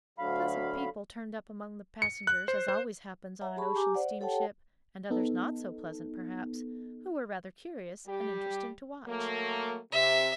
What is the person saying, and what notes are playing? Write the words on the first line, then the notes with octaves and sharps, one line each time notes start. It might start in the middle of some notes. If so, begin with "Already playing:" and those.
Pleasant people turned up among the passengers, as always happens on an ocean steamship, and others not so pleasant, perhaps, who were rather curious and interesting to watch.
D2 D3 F#3 F5 B5
C#7
F#6
C5
C5
C#5 E5 F#5 A#5
G4 G#4 A5 B5 C#6
G4 G#5 A#5 D6
C5 D5 F#5
G4 A4 C#5 F#5 G5 A5
B3 D#4 A4
G3 G4
F#3 A3 A#3
C3 E5